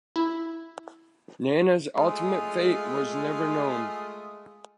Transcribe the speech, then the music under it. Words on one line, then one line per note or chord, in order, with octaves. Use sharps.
Nana's ultimate fate was never known.
E4
G#3 A3 F4 D#6